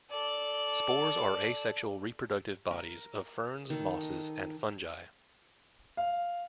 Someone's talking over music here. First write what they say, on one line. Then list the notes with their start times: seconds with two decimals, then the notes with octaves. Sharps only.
Spores are asexual reproductive bodies of ferns, mosses and fungi.
0.11 A4 D5
2.71 A#4
3.70 D#3 A4
4.03 D#5
5.97 F5